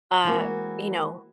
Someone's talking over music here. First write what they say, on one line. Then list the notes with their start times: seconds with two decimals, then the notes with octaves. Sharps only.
uh, you know
0.24 E3 G#3 A#3 C4 F#4